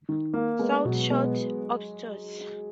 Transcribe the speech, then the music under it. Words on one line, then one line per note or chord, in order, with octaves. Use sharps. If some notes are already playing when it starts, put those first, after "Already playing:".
Snout short., obtuse.
D#3
A#3
G#3 B3
B2 F#3
G#3 B3